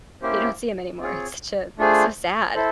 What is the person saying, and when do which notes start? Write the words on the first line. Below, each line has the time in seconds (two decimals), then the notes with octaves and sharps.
You don't see 'em anymore. It's ju so sad.
0.22 A#3 C#4 E4 G4 C5
1.00 C4 F4 G#4 C#5
1.78 A3 D4 F4 G#4 C5
2.55 E4 A4 C5